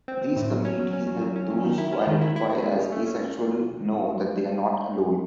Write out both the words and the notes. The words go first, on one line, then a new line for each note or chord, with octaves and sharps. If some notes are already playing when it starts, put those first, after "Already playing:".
These communities help those who identify as asexual know that they are not alone.
C4
C4
A2
F#3
C#4
F#3
C#4
F#3
F#3
C#4
F#3
D#3
E4
C#4
D#3
E4
E4
E4
G#3
C#4
A3
C#4